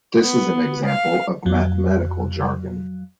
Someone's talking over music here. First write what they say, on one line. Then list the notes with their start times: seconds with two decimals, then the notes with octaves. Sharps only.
This is an example of mathematical jargon.
0.21 B3
0.85 F5
1.46 F2 F#3